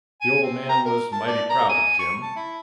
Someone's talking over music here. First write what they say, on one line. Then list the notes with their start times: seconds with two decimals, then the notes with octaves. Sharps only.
The old man was mighty proud of Jim.
0.21 G#5
0.43 C4
0.69 A#5
0.86 A#4
1.13 A5
1.27 D5
1.50 A#5
1.69 G#5
1.99 C#6
2.22 A5
2.36 E4